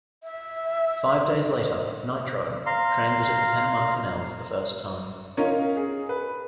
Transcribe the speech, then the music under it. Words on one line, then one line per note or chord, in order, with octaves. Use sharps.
Five days later "Nitro" transited the Panama Canal for the first time.
E5
F5 A#5 C6
C#4 D#4 F4 A#4 C#5
G#4
B4